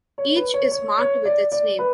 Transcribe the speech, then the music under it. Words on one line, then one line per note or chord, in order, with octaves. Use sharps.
Each is marked with its name.
C#5
B4
C#5
C#5
C#5
D5
D5
B4